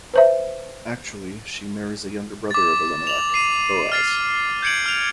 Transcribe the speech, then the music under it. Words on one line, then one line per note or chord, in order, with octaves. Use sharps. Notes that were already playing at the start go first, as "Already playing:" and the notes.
Actually, she marries a younger brother of Elimelech, Boaz.
B4 C5 E5
D6 A6
F7 F#7
C7 D#7
F6 A6 C7
G6 G#6 C#7 D7 F#7
F6 F7